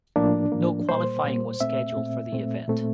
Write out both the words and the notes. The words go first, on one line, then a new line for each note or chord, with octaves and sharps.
No qualifying was scheduled for the event.
A2 F3 A#3 D4
A2 F3 A#3
A#2 G3 A#3 C5
A#2 G3 A#3
A#2 A3 C4 E5
A#2 A3 C4
A#2 A3 C4
A#2 A3 C4